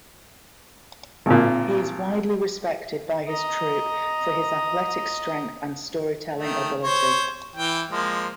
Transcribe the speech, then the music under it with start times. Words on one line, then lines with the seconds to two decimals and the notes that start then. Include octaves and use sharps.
He is widely respected by his troop for his athletic strength and storytelling ability.
1.26 G#1 A#2
3.28 D#5 A#5
6.35 D#3 A3
6.83 C5 C#5
7.56 E3 G5
7.90 F3 G#3 A#3